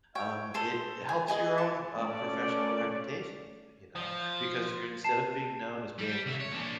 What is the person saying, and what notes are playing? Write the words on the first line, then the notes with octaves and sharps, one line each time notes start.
um, it helps your own, um, professional reputation if you know, because you're instead of being known as being
C#5 G5
G#4 A4 C5
G#5
G#4 D#5 G#5
A5
A3 C#4 D5
F3
A5 C7 E7
G3
C2 E5
C#5
A#2 D4